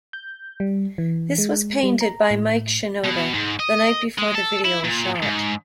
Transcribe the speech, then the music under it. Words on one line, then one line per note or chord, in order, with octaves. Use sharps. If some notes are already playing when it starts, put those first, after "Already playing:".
This was painted by Mike Shinoda the night before the video was shot.
G6
G3
E3
G#3
G3
A#5
A2
B2
G#2
D#5
G#3
A4
E4
A#2
G#2